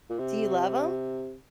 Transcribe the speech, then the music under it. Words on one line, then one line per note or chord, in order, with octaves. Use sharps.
Do you love 'em?
A#2
C3